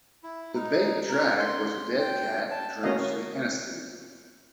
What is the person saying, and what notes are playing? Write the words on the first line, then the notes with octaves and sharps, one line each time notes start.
The bait dragged was a dead cat drenched in aniseed.
E4
D#4
A#4
C6
G5
A5
A#3 C#4 F#4 A#4 D#5 F5